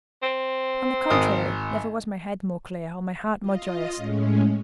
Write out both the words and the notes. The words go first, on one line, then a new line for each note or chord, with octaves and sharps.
On the contrary, never was my head more clear, or my heart more joyous.
C4
G#1 A#4 D#6
F4 D#5
A2 G#3 C#4